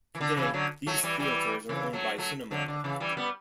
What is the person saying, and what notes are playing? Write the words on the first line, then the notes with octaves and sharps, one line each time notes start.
Today these theatres are owned by Cinemark.
E3
D3
C#3 E3
D3 F#3
F#3 A3
E3 G3
E3 G3
C#3 E3
F#3 A3
F#3 A3
D3 F#3
D3
C#3 E3
E3 G3
G3 B3